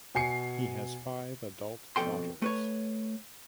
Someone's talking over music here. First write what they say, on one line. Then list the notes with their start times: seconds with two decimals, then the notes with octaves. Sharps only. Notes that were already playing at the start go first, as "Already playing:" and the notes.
He has five adult daughters.
0.15 B2 G#5 C7 C#7
1.96 F2 B2 E3 A4 G5 C6
2.42 A3 B4 C#5